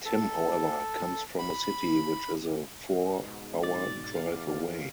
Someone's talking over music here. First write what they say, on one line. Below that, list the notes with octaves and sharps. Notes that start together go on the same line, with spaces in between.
Tim, however, comes from a city which is a four-hour drive away.
A4
B5
G#2 B2
D5
E2 F5